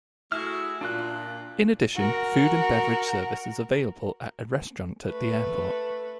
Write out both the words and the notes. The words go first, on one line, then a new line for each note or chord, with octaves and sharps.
In addition, food and beverage service is available at a restaurant at the airport.
A3 E4 F#4 G#4 F6
A#2 D4 F4 F#6
F#4 A#4
A3 B4